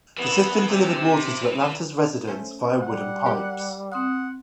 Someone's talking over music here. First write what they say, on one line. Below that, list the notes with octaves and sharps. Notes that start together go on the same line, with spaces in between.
The system delivered water to Atlanta's residents via wooden pipes.
C2 E3 B3
C3
A3 C#4 C5
G3 F#5
G4 A#4
C4 F#5 C6 D#6